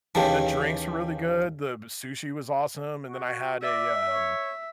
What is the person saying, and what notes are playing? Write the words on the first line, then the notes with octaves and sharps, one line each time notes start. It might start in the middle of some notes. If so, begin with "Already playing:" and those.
the drinks were really good, the sushi was awesome, and then I had a, um
D#2 C#3 E3 G4 A5
F#4
D5 E5
C#5